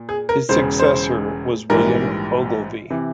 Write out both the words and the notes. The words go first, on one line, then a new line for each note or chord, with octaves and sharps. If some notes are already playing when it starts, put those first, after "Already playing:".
His successor was William Ogilvie.
Already playing: A#2
G#4
A#4
E1 E2 C#3 C5
C5
A#1 G#2 E3 G3 A#4
C3 E3